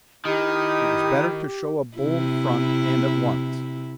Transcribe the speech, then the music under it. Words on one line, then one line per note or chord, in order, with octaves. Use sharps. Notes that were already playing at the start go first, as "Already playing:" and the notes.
It was better to show a bold front and at once.
D#3 D#4 E4 G4 D#6
C3 E4